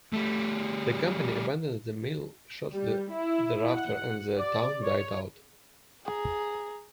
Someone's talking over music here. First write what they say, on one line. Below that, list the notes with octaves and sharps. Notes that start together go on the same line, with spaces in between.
The company abandoned the mill shortly thereafter and the town died out.
G3 A3
G3
E4
F#5
D5
C#5
G#4 A#5